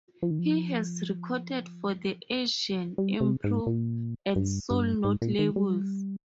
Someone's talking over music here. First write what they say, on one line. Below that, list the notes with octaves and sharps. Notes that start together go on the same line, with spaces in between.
He has recorded for the Asian Improv and Soul Note labels.
F3
D#3
F3
G3
C3
G#2
A#2
G2
G2
G#2
A#2
D#3
G3